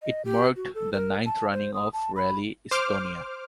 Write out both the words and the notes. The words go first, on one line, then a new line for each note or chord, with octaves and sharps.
It marked the ninth running of Rally Estonia.
D#5
G4
F#4
A4
A#4
A5
C5
D#6
A5
B5
C5 D6 F6